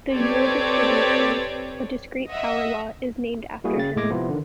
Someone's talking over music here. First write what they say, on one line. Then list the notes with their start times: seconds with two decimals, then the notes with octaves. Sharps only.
The Yule distribution, a discrete power law, is named after him.
0.11 C4 G4 A4 B4 C#5 D5
2.29 D#5 E5 F#5
3.64 G3 A#3 E4 F#4 G#4
3.77 C#3 G5 A6
3.96 A2 G#3 A3 D6 G#6 A#6
4.09 C3 F3 B3 E4 F4
4.29 D3 D#3